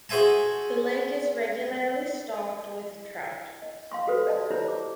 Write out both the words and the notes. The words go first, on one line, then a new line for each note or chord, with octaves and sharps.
The lake is regularly stocked with trout.
F#4 G#4 C5 E5 G#5 A5
D#5
F5 C6 C#6
F#4 G4 A4 B4 C5
D5 D#5 A5
E4 G4 C5 C#5 A5 A#5
D6